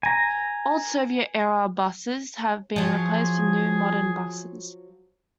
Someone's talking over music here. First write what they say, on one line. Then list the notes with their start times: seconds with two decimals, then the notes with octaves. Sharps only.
Old Soviet-era buses have been replaced with new modern buses.
0.03 G#5 A#5
2.76 F3 F#3 G#4